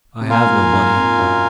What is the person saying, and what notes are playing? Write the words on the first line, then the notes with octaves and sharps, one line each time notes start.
"I have no money."
C3
A#2 F4 A#4 F5 G#5
G#2
A#2
G#2
F2
F#2